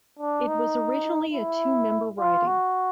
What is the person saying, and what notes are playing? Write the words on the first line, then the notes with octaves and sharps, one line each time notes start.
It was originally a two-member riding.
D4
D#4
E4
F4
F#4